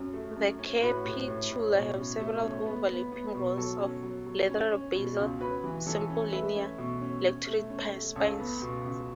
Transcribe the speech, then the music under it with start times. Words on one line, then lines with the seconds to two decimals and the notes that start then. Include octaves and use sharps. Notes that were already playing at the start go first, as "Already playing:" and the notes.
The capitula have several overlapping rows of leathery basal simple linear-lanceolate spines.
Already playing: F#2 F#3
0.13 A3
0.36 F#2
0.59 C#4
0.82 A2 F#4 B4
1.05 A2
1.28 A2
1.51 A2
1.74 B2
1.97 C#4
2.20 A3
2.42 C#4
2.66 B3
2.88 B3
3.12 B3
3.34 B2
3.57 F#3 A4
3.80 C#4
4.03 F#3
4.26 F#3
4.49 C#4
4.72 C#4
4.95 B2
5.18 C#2
5.40 C#4 F#4 B4
5.64 E3
5.86 E3 A4 C#5
6.10 C#4
6.32 A3 B4 E5
6.55 C#4
6.78 B2
7.01 C#4
7.24 C#4
7.47 A3
7.70 C#4
7.93 A3
8.16 C#2 A4 C#5
8.39 B3
8.62 B2
8.85 C#2